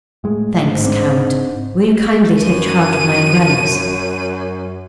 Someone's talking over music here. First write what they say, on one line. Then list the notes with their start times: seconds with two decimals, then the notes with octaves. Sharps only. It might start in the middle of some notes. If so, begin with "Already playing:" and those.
Thanks, Count; will you kindly take charge of my umbrellas?
0.24 A2 G#3
0.65 G#2
0.85 C4 D4
2.39 F#2 D#7